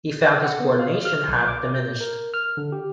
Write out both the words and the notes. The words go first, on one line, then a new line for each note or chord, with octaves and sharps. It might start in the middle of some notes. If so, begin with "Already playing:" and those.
He found his coordination had diminished.
G5
F#5
B3
F5
F6
B1
D6
G6
A#4
F6
D3
G4